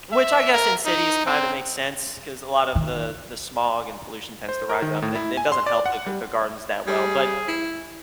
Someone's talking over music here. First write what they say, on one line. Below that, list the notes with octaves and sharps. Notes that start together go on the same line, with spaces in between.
which I guess in cities kinda makes sense 'cause a lot of the the smog and pollution tends to rise up and it it doesn't help the g the gardens that well, but,
E5
A#4
D#4
C4
D#3
C5
A#4
D#3
A2
E4
G#5
C6
D5
F#5
G3
G3 G#4
E4